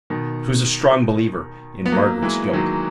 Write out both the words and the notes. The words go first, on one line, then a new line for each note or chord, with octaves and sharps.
She was a strong believer in Margaret's guilt.
B2 D#3
B3
F#3 A#3
E3 G#3
D#3 F#3